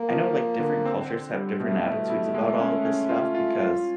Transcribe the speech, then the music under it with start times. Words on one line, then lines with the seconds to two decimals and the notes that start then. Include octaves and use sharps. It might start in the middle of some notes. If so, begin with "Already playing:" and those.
I know, like, different cultures have different attitudes about all of this stuff because,
Already playing: A#3
0.10 F3
0.34 F3
0.59 D3
0.85 C4
1.10 C4
1.34 G3
1.60 B2 A3
1.84 E4
2.10 E4
2.34 G#3
2.60 C#4
2.85 C#4
3.09 F4
3.35 F4
3.59 F4